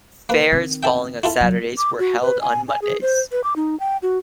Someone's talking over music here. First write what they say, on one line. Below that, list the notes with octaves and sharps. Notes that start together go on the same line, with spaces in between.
Fairs falling on Saturdays were held on Mondays.
A#3 B4
D#3 C4
A4 E5 G5
E4 F4 A4
D2 F#3
D6
F#4
B4
G#5
G#5
G#4
C5
B4
D6
D#4
G5
F#4